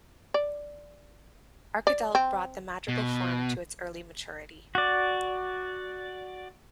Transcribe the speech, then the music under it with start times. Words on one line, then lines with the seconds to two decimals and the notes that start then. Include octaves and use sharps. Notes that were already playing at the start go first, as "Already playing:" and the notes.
Arcadelt brought the madrigal form to its early maturity.
0.34 D5
1.87 D5
2.15 C4
2.88 B2
4.75 F#4 D5